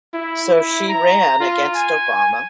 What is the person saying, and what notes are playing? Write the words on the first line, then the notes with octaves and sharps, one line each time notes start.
So she ran against Obama.
E4
E4
A#5
F4
G#5